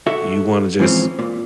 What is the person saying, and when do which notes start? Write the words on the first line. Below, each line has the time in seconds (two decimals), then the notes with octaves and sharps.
You wanna just
0.07 F#4 A4 E5
0.80 G#2 E3 F3 C4 C#4
1.19 A#2